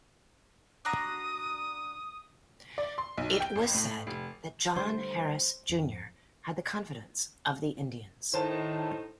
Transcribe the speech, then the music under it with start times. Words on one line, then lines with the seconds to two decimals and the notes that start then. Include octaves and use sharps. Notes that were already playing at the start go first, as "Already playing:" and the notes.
It was said that John Harris Junior had the confidence of the Indians.
0.85 D4 F#4 A#5 D#6
2.78 D5
2.98 C6
3.17 B1
3.40 G5
3.55 A1
3.75 A2
4.07 F1
4.76 D3 G3 A3 C5
5.70 F2
8.34 A2 D#3 D#4 C5 A5